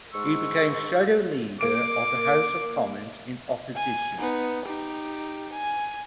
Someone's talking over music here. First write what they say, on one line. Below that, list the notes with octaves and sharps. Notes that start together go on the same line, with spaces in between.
He became Shadow Leader of the House of Commons in opposition.
G#2 G#3 C#6 E6
A#3 D6 D7
G#5
B3 D#4
D#4 G4
G#5